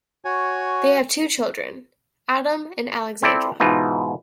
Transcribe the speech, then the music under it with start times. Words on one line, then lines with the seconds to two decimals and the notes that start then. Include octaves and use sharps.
They have two children: Adam and Alexandra.
0.25 F#4 C#5 G#5
3.22 C4 E4 A4 D5
3.60 G#2 B2 E3 D#4 F4